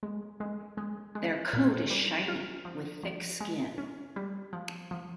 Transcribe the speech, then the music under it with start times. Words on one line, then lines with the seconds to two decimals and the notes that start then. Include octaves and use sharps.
Their coat is shiny with thick skin.
0.03 G#3
0.40 G#3
0.77 G#3
1.15 G#3
1.53 A#2
1.90 G3
2.28 F4
2.65 F3
3.03 F3
3.41 G#3
3.78 C#4
4.16 G3
4.53 F3
4.91 F3